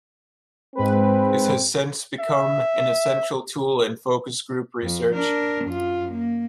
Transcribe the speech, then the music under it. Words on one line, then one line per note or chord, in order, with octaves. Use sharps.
This has since become an essential tool in focus group research.
G#2 G#3 C4 B4
E5
F2
D4 A#4
F#2 F4
A#3